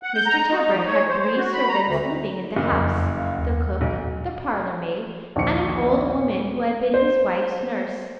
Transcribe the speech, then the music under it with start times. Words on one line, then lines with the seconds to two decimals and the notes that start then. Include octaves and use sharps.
Mr. Tebrick had three servants living in the house, the cook, the parlour-maid, and an old woman who had been his wife's nurse.
0.03 F#5
0.14 G6
0.27 A#5
0.49 D#4
0.73 F3
0.86 C#5
1.08 C5
1.20 C5
1.36 F#4
1.53 B5
1.69 A#5
1.85 D2
2.56 F#1
2.72 F2
3.18 F5
3.35 D#2 F#5
3.81 B1
5.36 A#1 D#2 C#7
6.94 C5